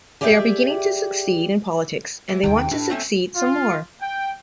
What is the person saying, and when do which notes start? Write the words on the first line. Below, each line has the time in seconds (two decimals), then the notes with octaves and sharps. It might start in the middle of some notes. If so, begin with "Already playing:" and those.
They are beginning to succeed in politics and they want to succeed some more.
0.21 G4 G#4 D5 E5 F5 G5
2.29 E3
2.44 D#2 C3 D#3 G5
2.71 A2 D4 B4
2.90 A3 C4 C#4
3.35 F4
4.00 G5